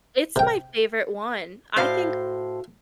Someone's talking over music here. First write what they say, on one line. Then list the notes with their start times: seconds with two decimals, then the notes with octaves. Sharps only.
It's my favorite one, I think
0.36 C3 G5
1.76 A2 F#4 C5 F5